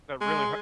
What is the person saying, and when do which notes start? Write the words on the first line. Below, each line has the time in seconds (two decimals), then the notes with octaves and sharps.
that really h
0.21 G#3